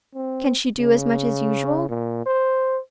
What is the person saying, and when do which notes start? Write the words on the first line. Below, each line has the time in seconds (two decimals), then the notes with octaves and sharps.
Can she do as much as usual?'
0.15 C4
0.78 C#3
1.89 A#2
2.26 C5